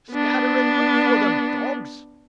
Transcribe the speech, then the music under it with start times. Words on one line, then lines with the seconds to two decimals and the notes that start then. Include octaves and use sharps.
Scatter and look for them, dogs!
0.11 B3 D4